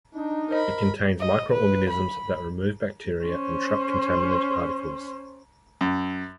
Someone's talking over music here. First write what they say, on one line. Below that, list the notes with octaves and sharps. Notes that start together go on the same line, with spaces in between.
It contains microorganisms that remove bacteria and trap contaminant particles.
D4 D#4
A#4 C5 D#5 B5
D#5
B4
B5
C#4 C5
F#2